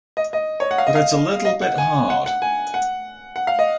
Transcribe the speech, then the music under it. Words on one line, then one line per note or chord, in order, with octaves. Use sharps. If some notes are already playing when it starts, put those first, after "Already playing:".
But it's a little bit hard.
D#5
D#5
C#5
F#5
F5
D#5
F5
D#5
F#5
G#5
F#5
F#5
G#5
F#5
F#5
F5
D#5